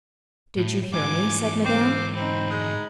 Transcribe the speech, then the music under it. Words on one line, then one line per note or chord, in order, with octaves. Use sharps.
"Did you hear me?" said Madame.
A2
G#2 E3 G#5 D6
C#3 C4 D6
C4 D#4 B5
G#3